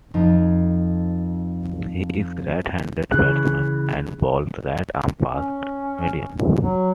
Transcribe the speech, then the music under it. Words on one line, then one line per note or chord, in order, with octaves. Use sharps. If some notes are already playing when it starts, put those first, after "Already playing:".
He is a right-handed batsman, and bowls right-arm fast-medium.
F2 D#4
D2 C#3 E3 G#4 F#6
C#4
F#3